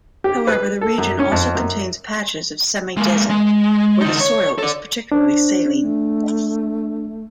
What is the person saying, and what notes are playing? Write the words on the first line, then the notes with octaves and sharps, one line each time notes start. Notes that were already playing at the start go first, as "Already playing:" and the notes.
However the region also contains patches of semi-desert where the soil is particularly saline.
G4
B4
A4
F#2
C#4
F2
F#2
G#3 A#3
G#3
D3 D#4
C#5
A4 D5
D4 C5
A3